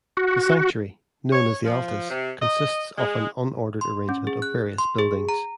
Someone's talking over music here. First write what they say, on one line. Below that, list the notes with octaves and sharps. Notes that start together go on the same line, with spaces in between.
The sanctuary, known as the Altis, consists of an unordered arrangement of various buildings.
F#4
C#5
F3
C3
D#5
G#3
C6
C#4
G#4
F#6
C6
G#4
A#5